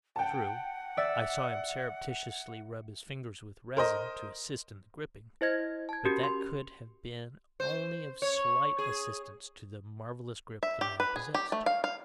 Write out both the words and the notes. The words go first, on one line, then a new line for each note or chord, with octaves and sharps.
True, I saw him surreptitiously rub his fingers with resin, to assist in the gripping, but that could have been only of slight assistance to the marvelous grip the man possessed.
F#5 G5 A5
D5 E5 E6
A#4 C5 D#5
E4 C5 D#5 G#6 A#6
A5 G#6
C#4 F#4 G4 A#4
C6
C5
C#5
G#4
E5
G4
B4
G#4
G4
A3
F5
F5